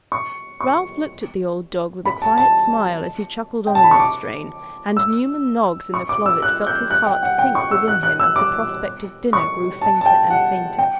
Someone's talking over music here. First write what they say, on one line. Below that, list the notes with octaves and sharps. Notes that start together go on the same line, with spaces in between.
Ralph looked at the old dog with a quiet smile as he chuckled on in this strain, and Newman Noggs in the closet felt his heart sink within him as the prospect of dinner grew fainter and fainter.
C#6
C#6
B5
A5
A5
G5
A5
B5
C#6
D6
E6
C#6
D6
E6
F#6
G6
F#6
G5
F#5
G5
C#6
E6
F#6
F#6
E6
D6
C#6
A5
A5
G5
F#5
G5